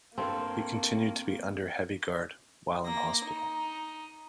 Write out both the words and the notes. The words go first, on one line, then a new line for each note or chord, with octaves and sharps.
He continued to be under heavy guard while in hospital.
G2 A#3 C4 A4 F5 A5
A#3 A#6
D#4